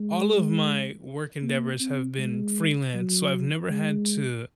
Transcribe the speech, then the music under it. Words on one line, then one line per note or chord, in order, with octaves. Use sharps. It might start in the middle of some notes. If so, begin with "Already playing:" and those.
all of my work endeavors have been freelance, so I've never had to
Already playing: G#3
A#3
C4
G#3
F#3
G#3